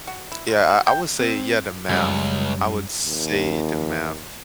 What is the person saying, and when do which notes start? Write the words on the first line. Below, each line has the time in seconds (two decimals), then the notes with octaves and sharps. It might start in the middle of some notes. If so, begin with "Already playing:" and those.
Yeah, I I would say yeah, the math, I would say the math,
0.07 F#4
0.32 E4
0.49 F4
0.70 F#4
0.87 G5
1.20 C4
1.89 C#2 F#2 G3
3.04 D#2